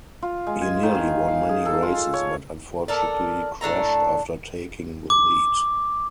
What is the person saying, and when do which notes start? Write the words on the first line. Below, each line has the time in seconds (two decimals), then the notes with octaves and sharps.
He nearly won many races but unfortunately crashed after taking the lead.
0.22 F4
0.47 G#3
0.61 G#5
0.83 D#3
0.95 F5
1.28 F5
1.49 G#4
1.66 A4
1.83 F4
2.13 C#5
2.88 A4 A#4 D5
3.61 A2 D4 A4 A#5
5.10 D6